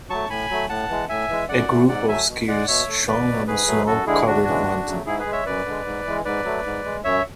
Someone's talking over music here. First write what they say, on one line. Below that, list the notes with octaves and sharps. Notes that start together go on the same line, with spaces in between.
A group of skiers shown on a snow covered mountain.
F#3 A3 A5 C#6
A2 G#5 B5
F#3 A3
A2 F#5 A5
E3 G#3
A2 E5 G#5
E3 G#3
F#2 D5 F#5
E3 A3
G#2 D5 F#5
F#3 A3 E5 G#5
B2
G#3 D5 F#5
B2 C#5 E5
A3
E2 B4 D5
B2 F#3
G#2 G#4 B4
F#3 A3
F#2 F#4 A4
D3 G#3 E4 G#4
D2 D4 F#4
C#3 E3 G#3
D2
C#3 F#3 A3
G#2 E4 G#4
G#4 B4
G#3
C#5 E5
F#2 B4 D5
D3 G#3
G#2
E3 G#3
G#2 B4 D5
F#3 A3
G#2
G#3
F#2 C#5 E5